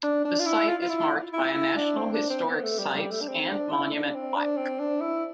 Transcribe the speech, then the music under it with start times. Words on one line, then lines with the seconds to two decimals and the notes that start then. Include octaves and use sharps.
The site is marked by a National Historic Sites and Monument plaque.
0.03 D4
0.25 D4
0.39 F4
0.46 E4
0.68 F4
0.82 F4
0.89 E4
1.33 E4
1.54 E4
1.76 D4
1.97 C4
2.14 D4
2.30 C4
2.46 B3
2.63 A3
2.79 G3
2.95 G3
3.11 A3
3.21 D4
3.28 C4
3.49 D4
3.71 E4
3.93 D4
4.14 C4
4.36 D4
4.57 C4
4.79 D4
5.01 E4